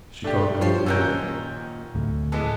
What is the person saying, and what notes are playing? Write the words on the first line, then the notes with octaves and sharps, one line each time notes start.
She caught at her breath.
A3 D4 G4
F3 F4 A4 C5 C#5
A#2 D#3 C#4 F#5 G5 A#5 E6 G6
D2 A2
D3 E3 G#3 B3 G#4 A4